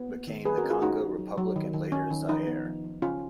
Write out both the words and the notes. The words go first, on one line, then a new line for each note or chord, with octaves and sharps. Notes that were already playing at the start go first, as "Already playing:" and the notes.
Became the Congo Republic and later Zaire.
Already playing: B3
A#3
D#3
A#3 G#4 B4
F#4 A#4
C#4
F4 G#4
C#4 D#4 F#4
C#4
F#3
F#3
D#3
D#3
C#4
D#3
F3 D#4
B3
F3
F3
C#3 C#4 F4